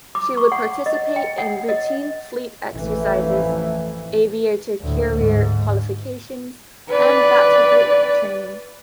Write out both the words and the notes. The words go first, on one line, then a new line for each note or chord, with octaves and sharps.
She would participate in routine fleet exercises, aviator carrier qualifications, and battle group training.
D6
C#6
F#5
D#5
G5
F#5
D#5
A1 F2 E3 A3
D2 A2
G#2
B4 D5